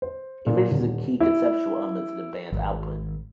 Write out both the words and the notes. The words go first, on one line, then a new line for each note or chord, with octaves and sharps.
Image is a key conceptual element to the band's output.
C5
A#2
D#1
E4
G#1